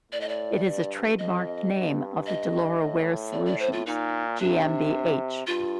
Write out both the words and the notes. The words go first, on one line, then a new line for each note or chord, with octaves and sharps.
It is a trademarked name of the Deloro Wear Solutions GmbH.
A2 D5
D#5
D5
G2
F2 D#5
G2
D#5
A2
D5
D5
C5
F4
A#2 D#4
C3 D4
G2 F4